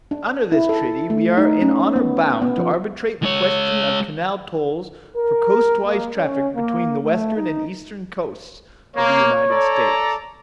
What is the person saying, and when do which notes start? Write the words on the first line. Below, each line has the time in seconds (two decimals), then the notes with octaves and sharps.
Under this treaty we are in honor bound to arbitrate the question of canal tolls for coastwise traffic between the Western and Eastern coasts of the United States.
0.11 D4
0.52 E4
0.69 A4
1.10 A3
1.37 D#4
1.62 C#4
1.96 B3
2.42 B3
2.58 F3
3.23 G#3 C#5
5.16 A#4
5.85 A#3
6.17 C#4
6.56 A#3
7.03 A3
7.36 D#4
8.96 A#3 C#5
9.50 A4 D5 A#5